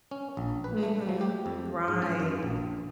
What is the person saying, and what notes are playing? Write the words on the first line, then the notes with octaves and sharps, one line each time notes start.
Mhm. Right.
C#4
A#1
B4
A3
F3
G4
F2
G#2
C#4
F#2
A#1